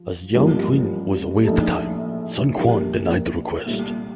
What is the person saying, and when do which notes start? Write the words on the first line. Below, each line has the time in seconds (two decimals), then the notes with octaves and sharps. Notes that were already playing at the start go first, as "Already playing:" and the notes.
As Jiang Qin was away at that time, Sun Quan denied the request.
Already playing: F3
0.34 A1 G2 F3 A#3
1.45 A#1 A2 A3 D#4 A4
2.55 A#1 A#2 G3 A#3
3.66 C2 A#2 A3